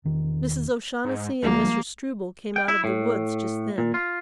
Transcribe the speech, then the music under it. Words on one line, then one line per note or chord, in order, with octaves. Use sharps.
Mrs. O'Shaughnessy and Mr. Struble came out of the woods just then.
E1 D#3
G#2
D2 F3 G3 G#3 A#3
G5
E4
A2
A#2
F4